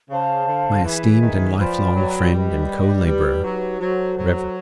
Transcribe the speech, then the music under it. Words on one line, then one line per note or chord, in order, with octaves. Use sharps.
My esteemed and life-long friend and co-laborer, Rev.
C#3 C5 F5 A5 C6
D3
E3 G#4 B4 E5 G#5
D#3
F3 B4 D5 G5 B5
F#3
G3 G4 B4 D#5
G3 D#4 G4 B4
F#3
F#3 F#4 A4 C5
F#3